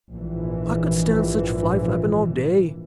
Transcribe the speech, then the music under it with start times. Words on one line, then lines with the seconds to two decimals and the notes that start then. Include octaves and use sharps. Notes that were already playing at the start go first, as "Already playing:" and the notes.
I could stan' such fly-flappin' all day.
0.10 A#1 G#2 E3